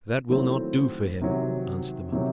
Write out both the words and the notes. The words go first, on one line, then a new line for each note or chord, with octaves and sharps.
"That will not do for him," answered the monk.
D#3 F#3 A3 C4 E4
C3 D#3 F#3
C3 D#3 F#3